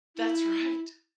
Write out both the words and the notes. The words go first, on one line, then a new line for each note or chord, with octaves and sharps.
That's right.
E4